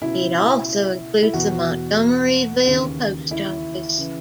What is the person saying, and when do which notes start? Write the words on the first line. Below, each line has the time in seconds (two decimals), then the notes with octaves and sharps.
It also includes the Montgomeryville Post Office.
0.01 C#2 B2 E4
1.23 E4
1.33 E2 B2 F#4
2.65 D#2 C#3 E3
3.31 E4
3.97 C#3 E3